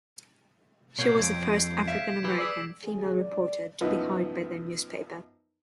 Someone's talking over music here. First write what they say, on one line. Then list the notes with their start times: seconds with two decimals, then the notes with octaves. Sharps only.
She was the first African-American female reporter to be hired by the newspaper.
0.99 B2 A#3 C#5 G6 G#6 C7
1.19 F2 G#6 D7
1.87 E5 F5 B6 D7 E7
2.24 E4 G4 B4
2.38 G#4 D5 D6 E6 B6
2.84 G#4
3.21 D5
3.81 F#2 F3 B3 D#4 E4